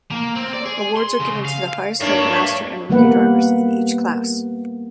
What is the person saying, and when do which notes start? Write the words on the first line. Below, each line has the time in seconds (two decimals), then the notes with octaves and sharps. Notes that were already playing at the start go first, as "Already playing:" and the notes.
Awards are given to the highest ranked Master and Rookie drivers in each class.
0.11 A#3
0.35 C4
0.54 D5
0.65 G#4
0.97 C6
1.19 C#3
1.45 F5
2.01 G2 A#3 D4 C#5 E5 C#6
2.90 G3 A#3 B3 B4 F#5